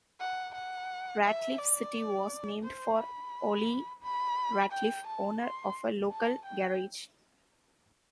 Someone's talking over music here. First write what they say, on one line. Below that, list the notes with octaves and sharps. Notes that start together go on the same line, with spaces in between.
Ratliff City was named for Ollie Ratliff, owner of a local garage.
F#5
F#5
E5
D5
C5
B5
B5
G5
A5
C6
A5
G5